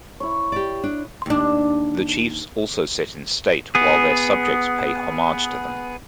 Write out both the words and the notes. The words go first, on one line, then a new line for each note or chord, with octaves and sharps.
The chiefs also sit in state while their subjects pay homage to them.
E4 C#5
G4 D5
D4
D#2 D4
B3 G#4